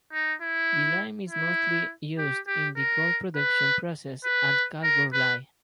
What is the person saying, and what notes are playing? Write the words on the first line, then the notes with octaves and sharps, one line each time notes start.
The lime is mostly used in the gold production process at Kalgoorlie.
D#4
E4
E4
G4
G4
A#4
B4
B4
A#4
B4